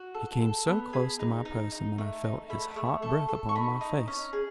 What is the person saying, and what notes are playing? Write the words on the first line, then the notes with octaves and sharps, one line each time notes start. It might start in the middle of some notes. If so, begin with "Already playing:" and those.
He came so close to my person that I felt his hot breath upon my face.
Already playing: F#4
A4
A4
B3
G#4 B5
D#4
D#4
D#4
A3
D#4
A3 B5
A3
A4 C#6
A4
C#6
D#4 B5
D#4
C#4
G#4